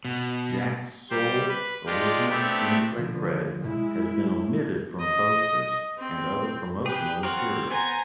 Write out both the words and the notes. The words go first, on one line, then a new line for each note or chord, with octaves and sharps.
Jack's sole original screenplay credit has been omitted from posters and other promotional materials.
B2
G3 G4 C5
B4
G#3 D4 F4 G4
A3 B3 C4 D4 G4 E5
D3 F3
G#3 E4
D#5
C4
G4 G#4 B4
C4 A#4 C#5 F#5
B3 C5 G#5 A#5